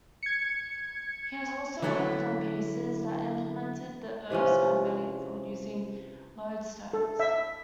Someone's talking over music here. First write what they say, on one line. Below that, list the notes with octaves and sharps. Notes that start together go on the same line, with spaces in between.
He has also worked on pieces that implemented the Earth's magnetic field using lodestones.
G#6 C#7
D3 E3 F#3 A3 C#4 E4
C3 E3 F3 C#4
A4
E5